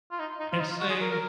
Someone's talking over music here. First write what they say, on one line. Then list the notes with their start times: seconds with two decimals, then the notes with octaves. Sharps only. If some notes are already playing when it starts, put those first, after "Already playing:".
And say
0.12 F4
0.20 D#4
0.40 D#4
0.52 F4
0.60 D#4
0.70 F4
0.80 F#4
0.90 G#4
1.01 A#4
1.11 A#4